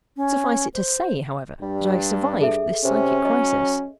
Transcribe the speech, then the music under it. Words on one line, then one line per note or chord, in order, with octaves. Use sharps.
Suffice it to say, however, that I survived this psychic crisis.
C#4
C5
G2 G3
G#4 A4 E5
C3 C#4
F#3 D#5